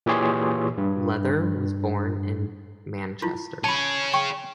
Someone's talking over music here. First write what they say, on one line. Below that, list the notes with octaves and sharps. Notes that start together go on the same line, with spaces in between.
Leather was born in Manchester.
A#2 E3 G4 G#4 C#5 C6
G2
E4 F4
G#4 C#5 A5 B5
G5 C#6